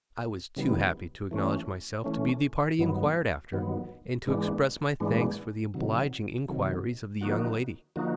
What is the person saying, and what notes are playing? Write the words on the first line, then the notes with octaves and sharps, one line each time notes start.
I was too happy to acknowledge myself to be the party inquired after, and to express my thanks for the obliging inquiries of the young lady.
C#3 E3 G3 B3
E3 A3 C#4
E3 A3 C#4
G2 D#3 F#3 B3
G2 D#3 F#3 B3
G#2 E3 G#3 B3 D4
G#2 E3 G#3 B3 D4
C3 D#3 F#3
C3 D#3 F#3
D3 F3 A#3 D#4 F#4
D3 F3 A#3 D#4 F#4